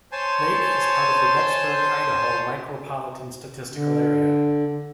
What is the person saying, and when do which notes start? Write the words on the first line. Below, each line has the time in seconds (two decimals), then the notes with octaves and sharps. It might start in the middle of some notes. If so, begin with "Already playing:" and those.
Lake is part of the Rexburg, Idaho Micropolitan Statistical Area.
0.12 C5 C#5 G#5 A5 C6
3.73 D3